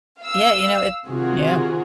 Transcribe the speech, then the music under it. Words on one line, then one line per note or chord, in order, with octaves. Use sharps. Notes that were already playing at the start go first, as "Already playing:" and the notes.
Yeah, you know, it yeah.
F5 E6
C3 D#3 F4 F#4 G#4